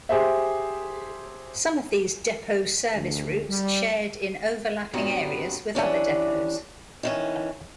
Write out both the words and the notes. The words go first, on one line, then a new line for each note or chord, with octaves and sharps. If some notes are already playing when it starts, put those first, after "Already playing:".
Some of these depots service routes shared in overlapping areas with other depots.
G4 G#4 C5 E5
D2
G3
G2 A#2 F#3 B3 C4
E3 G3 C#4 D4
D#3 E3 C#4